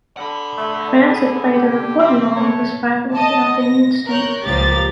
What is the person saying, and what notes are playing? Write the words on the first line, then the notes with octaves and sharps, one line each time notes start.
France had played an important role in the survival of the Albanian State.
D3 F#5 B5
A3
G#4
G4
E3 C4
A3 C#5
D#5 A5
A#6
A#4 C#5 F#6 G6
C#2 A#2 F3 G4 A#4 A6